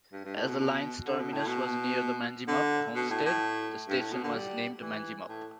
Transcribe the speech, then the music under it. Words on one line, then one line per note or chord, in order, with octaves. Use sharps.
As the line's terminus was near the Manjimup homestead, the station was named Manjimup.
G2
G2
A2
B2
B2
D3
B2
A2
B2
D3
B2
A2
A2
G2
A2
B2
D3
G3
E3
A2